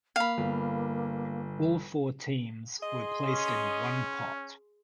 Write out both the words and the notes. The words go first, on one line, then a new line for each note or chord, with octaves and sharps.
All four teams were placed in one pot.
A#3 F5 B5
G1
G#4 D#5 C6
C#4